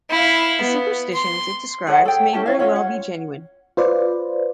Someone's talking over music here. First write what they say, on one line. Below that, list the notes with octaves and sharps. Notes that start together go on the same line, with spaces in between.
The superstitions it describes may very well be genuine.
E4 F5
B3
C6
G#4 A4 C#5 F#5
A4 G5
C#4 E4 G4 A5
C#4 E4 C#5 F5
C#4 F4 C#5 F#5
F#5
F4 B4 C5 D5